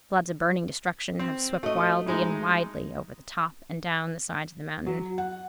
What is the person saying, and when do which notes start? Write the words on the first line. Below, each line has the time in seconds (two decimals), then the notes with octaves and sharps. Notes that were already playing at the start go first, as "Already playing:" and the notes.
Floods of burning destruction have swept wildly and widely over the top and down the sides of the mountain.
1.19 C4
1.63 A3 F#4 D#5
2.06 A2 G#3 D#4
4.86 F#3
5.18 F#5